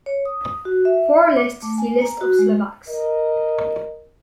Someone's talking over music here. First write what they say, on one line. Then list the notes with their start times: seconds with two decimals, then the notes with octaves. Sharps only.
For a list see List of Slovaks.
0.06 C#5
0.25 D#6
0.65 F#4
0.85 E5
1.36 D6
1.62 A3
1.78 G#5
2.02 A#5
2.21 F#4
2.39 G#3
2.89 A#4 D#5